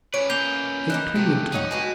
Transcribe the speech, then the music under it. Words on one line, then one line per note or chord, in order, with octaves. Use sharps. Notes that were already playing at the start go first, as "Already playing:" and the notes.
Take plenty of time.
C#4 B4 C#5 D7
A#3 G6 F7 G7
A#3 D#4 E4 F#6
C3 A3 G4
C#4 D#4 C#5 F#5
A2 B3 F#4 D#5 G#5